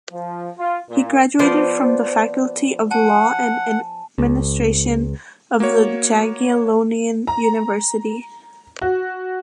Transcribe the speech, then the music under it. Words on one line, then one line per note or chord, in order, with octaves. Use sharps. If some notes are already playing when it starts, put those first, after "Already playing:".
He graduated from the Faculty of Law and Administration of the Jagiellonian University.
F3
F4
A#2
F3 B3 C5 D5 F5
F#5 G#5 A5
C#2
A#3 F#4 C#5
A#5
F#4